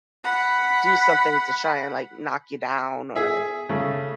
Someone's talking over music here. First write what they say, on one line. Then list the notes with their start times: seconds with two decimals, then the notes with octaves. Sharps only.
do something to try and like knock you down or, like,
0.24 F#5 B5
3.16 G#4 E5
3.69 C#3 A3